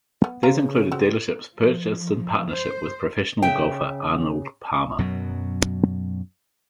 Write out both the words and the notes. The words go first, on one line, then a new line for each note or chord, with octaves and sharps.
These included dealerships purchased in partnership with professional golfer Arnold Palmer.
B3
C#3 F4 C5 A#5
C4 F#4
F3
C5
C#3 E5 G5
F#2 B2 F#3